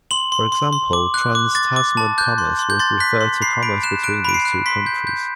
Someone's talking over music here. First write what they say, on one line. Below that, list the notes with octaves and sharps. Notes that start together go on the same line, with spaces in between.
For example, Trans-Tasman commerce would refer to commerce between these two countries.
C6 F#7
C6
C6
C6
D6
F#6
D6
D6 A6
D6
A5
F#6 G6
C6
C6
G6
C6 A6
F#6 B6
C6
B5 C7
B5 D7
F#6 E7
F#6 D7
B5 D7
C7
F#6
C6 B6
G6
G6